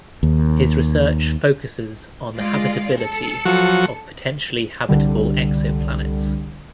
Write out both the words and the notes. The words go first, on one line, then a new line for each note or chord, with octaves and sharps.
His research focuses on the habitability of potentially habitable exoplanets.
D#2
G#3 F4 D5
A4 C#7
F3 F#3 F#4
C2 D3 G3